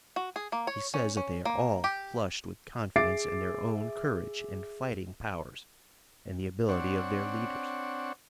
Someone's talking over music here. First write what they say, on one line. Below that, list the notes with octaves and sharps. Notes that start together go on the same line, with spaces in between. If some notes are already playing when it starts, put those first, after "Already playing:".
He says that they are all flushed with confidence in their own courage and fighting powers and the ability of their leaders.
F#4
G#4
A#3
C#5
C#4
C#4
A#3
G4
G#4 E5 D6 A6 C7 D7
C4 D4 C#5 F#5